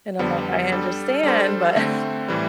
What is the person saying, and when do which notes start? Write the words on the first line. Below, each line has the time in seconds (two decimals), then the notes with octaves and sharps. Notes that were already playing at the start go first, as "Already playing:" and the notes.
And I'm like, "I understand, but"
0.19 F2 D3 G3 B3
0.72 G3 D4 A4
1.23 G3 D4 A4 C5
1.76 D3 A3 C4
2.28 A2 E3 G3